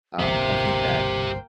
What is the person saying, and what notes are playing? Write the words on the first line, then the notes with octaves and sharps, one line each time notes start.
um, I think that
G1 C2 A#3 C4 G4 C5 E5 G5